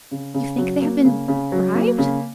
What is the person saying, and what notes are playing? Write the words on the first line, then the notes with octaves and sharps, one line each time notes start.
"You think they have been, bribed?"
C#3
C#3
F#3
A#3
C#3
C#3
F#3
A#3
C#3